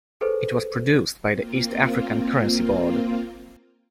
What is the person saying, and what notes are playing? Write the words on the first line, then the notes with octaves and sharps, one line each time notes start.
It was produced by the East African Currency Board.
G#4 A4 B4 C5
A#3 C4 F4